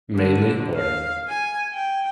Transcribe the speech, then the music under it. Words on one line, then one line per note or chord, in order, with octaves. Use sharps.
mainly or
D3
F5
G#5
G5